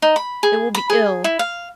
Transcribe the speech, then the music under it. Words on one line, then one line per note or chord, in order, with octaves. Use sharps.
It will be ill.
D#4
B5
G#4
B5
G#4
E4
F5